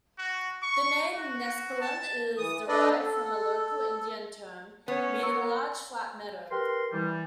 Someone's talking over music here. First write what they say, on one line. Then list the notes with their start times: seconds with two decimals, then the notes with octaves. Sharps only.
The name Nespelem is derived from a local Indian term meaning "large flat meadow".
0.19 F#4
0.63 C#6
1.14 F#4
1.81 A5
2.38 E3 D#6
2.68 D4 A4 B4 D5 D#5
2.99 A4
4.88 B3 C#4 C#5
5.23 A#4 C#6 E6 C#7
6.51 G4 A#4 B4 C6
6.92 E3 G3